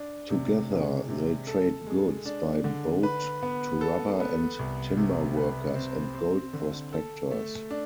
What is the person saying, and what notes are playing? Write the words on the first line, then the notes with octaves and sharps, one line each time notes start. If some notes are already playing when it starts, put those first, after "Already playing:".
Together, they trade goods by boat to rubber and timber workers and gold prospectors.
Already playing: D4
C3
G#3
C3
A4
G#3
D4
D3
B4
B3
A4
B3
C2
C3
B4
C4
C4
D3
A4
A3
D4